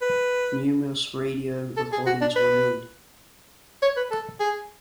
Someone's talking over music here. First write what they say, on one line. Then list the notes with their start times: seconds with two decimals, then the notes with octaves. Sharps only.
Numerous radio recordings were made.
0.02 B4
1.77 A4
1.92 G#4
2.07 F#4
2.21 D4
2.36 B4
3.82 C#5
3.97 B4
4.11 A4
4.40 G#4